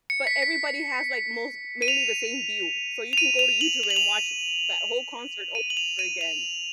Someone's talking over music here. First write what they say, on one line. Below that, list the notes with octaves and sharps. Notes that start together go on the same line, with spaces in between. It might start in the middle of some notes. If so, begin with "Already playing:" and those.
But everybody has like most mainly the same view, so, you can go to YouTube and watch that whole concert over again.
C#7
B6
B6
D#7
F7
F7
D#7
F7
F#7
F7
F#7
F7
D#7
F#7
F7
D#7
F7